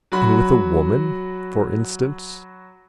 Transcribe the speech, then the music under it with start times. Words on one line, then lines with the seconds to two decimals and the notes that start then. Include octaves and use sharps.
And with a woman, for instance.
0.12 F#3 F#4 B5